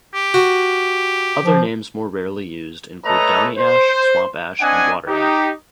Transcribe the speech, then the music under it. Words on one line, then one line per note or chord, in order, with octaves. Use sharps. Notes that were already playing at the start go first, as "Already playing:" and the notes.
Other names more rarely used include downy ash, swamp ash and water ash.
G4
F#4
F3
A3 B4 C#5 D#5 A5 A#5
C5
C4 D4 D#5 F#5 G#5
D#4 G4